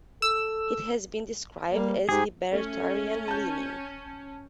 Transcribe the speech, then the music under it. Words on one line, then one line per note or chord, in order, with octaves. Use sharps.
It has been described as Libertarian-leaning.
A4 E6
G3 A#3
G#2 G4 G#4
A3 C#4
A5 G6